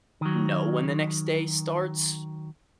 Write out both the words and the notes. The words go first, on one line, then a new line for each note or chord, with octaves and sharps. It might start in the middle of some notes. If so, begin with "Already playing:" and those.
know when the next day starts,
D#3 F#3